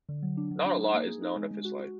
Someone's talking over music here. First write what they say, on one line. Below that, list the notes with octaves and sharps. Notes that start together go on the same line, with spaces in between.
Not a lot is known of his life.
D3
F#3
D4
F#3
D4
D#4
A#3
G#4
D#4
G#3
G#3
F#4
F#4